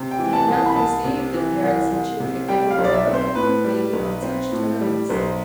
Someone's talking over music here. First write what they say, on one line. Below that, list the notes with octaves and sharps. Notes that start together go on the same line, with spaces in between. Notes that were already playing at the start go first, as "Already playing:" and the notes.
He had not conceived that parents and children ever were or could be on such terms.
Already playing: C3
G5
E3
A5
C2
A5
B5
C2 A5
C3
E3
C2
C2
C3
G3 G5
F5
B1
D5
E5
C4
C5
A2 B4
G3
B1
C4
A2
G3
B1 C5